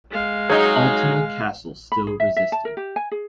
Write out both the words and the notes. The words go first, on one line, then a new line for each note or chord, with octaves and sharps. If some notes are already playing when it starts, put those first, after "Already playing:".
Altena Castle still resisted.
G#3 F5
F#3 D#4 G#4
B5
G#4
E5
E5
A5
A#4
G4
G#5
G#4